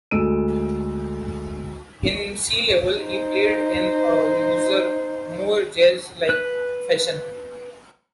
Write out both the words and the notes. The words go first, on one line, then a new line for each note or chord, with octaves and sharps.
In Sea Level he played in a looser, more jazz-like fashion.
D2 G#3 A4 E6 D7 D#7
D#4 C5
B4 F#6